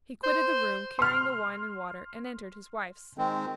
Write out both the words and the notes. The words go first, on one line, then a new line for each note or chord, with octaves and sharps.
He quitted the room, carrying the wine and water, and entered his wife's.
C5
C6 F6
D#3 G#3 C4